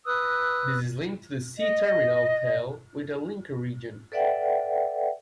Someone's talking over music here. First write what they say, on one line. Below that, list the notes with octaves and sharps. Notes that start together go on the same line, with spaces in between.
This is linked to the C-terminal tail with a linker region.
B4 D#6 E6 F#6
D#5
A4 B4 D5 E5 F#5 G5